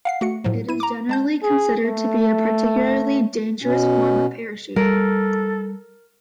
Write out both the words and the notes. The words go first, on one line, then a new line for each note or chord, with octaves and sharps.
It is generally considered to be a particularly dangerous form of parachuting.
F5 F#5 C7
A3 F#4 C#7
A2 F3 F#3
E4 D#7
A#5 D6
G#3 A5 G6
G#4
A3
B2 C#4
G3 A4 A#4